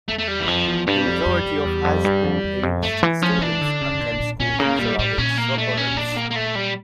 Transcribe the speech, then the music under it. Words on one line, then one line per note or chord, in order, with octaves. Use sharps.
The majority of highschool-aged students attend schools in surrounding suburbs.
E2 A3
A3
G3
E3
F2 F3
E2
G2 G3
F2
F2
F2
E2
F2
G2
F2
E2
F2
G2 A3
E3
F3 C#4
E3 D4
D3
C#3
A#2
A#2
A#2 C#4
C#3 A#3
A#2 G3
A2 G3
A#2 C#4
A#3
A3
C#4
D4
A#3
A#3
A3
G3